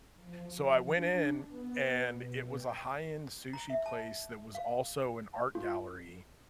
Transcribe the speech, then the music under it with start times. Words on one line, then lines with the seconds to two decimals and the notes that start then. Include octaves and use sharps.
so, I went in, and it was a high-end sushi place that was also an art gallery,
0.15 F3
0.90 D4
1.47 B3
2.08 B2
2.56 G5
3.53 A#5
3.70 E5
3.86 A5
4.55 F5
5.55 F4